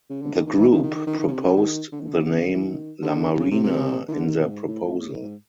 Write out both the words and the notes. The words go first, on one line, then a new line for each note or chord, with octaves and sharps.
The group proposed the name "La Marina" in their proposal.
C#3
D3
D#3
D#3
E3
D#3
D#3
D#3
D#3
D#3
C#3
C3
C#3
D#3
D3
D#3
D3
C#3
D3
E3
D#3
D3
C#3
C3
C3
D#3
D3
D#3
B2
G#2
A2
A2
G#2